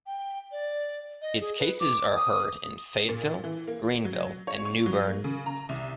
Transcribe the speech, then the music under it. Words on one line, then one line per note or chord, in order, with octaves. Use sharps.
Its cases are heard in Fayetteville, Greenville, and New Bern.
G5
D5
D#5
G#4
B4
D6
D#6
A#2
E3
A#3
F#3
C#5
C#6
F#3
A#3
C#3
A#5
C2